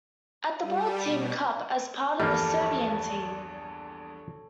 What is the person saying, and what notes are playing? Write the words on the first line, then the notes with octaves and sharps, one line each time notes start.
At the World Team Cup as a part of the Serbian team.
G3
B2
A#1 E2 G2 G3 A#3 A4
C#5